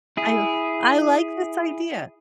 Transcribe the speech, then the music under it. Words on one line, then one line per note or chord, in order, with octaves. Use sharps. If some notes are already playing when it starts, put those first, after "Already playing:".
I I like this idea.
E4 G#4